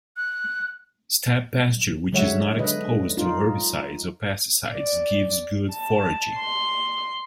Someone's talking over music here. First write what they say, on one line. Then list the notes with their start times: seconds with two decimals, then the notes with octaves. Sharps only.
Steppe pasture which is not exposed to herbicides or pesticides gives good foraging.
0.17 F#6
2.12 D3 F#3 G#3 C#5 E5 F#5
2.59 D3 B4 D#5
3.17 D#4 F4
4.72 D5
5.72 A5
6.36 C6